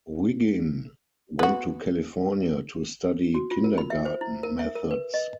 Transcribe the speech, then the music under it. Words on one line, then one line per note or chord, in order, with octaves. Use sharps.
Wiggin went to California to study kindergarten methods.
B3 F#4
F#4
F4
A#4
B5
E5
C5
E4
A#4
E5
A#4
B4
D#5